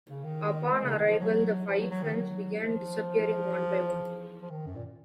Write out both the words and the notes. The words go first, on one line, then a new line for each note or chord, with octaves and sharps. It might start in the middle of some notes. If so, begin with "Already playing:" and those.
Upon arrival, the five friends begin disappearing one by one.
C#3
D#3
G#3
C#3
D#3
F3
F#3
F3
F#3
F#3
D#3
F#3
F3
F3
D#3
F#2
A#2